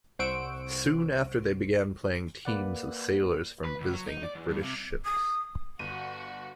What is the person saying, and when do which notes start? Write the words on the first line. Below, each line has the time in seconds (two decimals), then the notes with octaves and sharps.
Soon after they began playing teams of sailors from visiting British ships.
0.19 C2 C5 F#5 C#6 E6 D7
2.45 A#3 B4 D5 F#5
3.65 B4
3.80 C#2
3.92 F#3
4.07 D#4
4.23 D5
4.35 E2
4.49 G2
4.62 C3
5.05 D#6
5.79 G1 F#4 D#7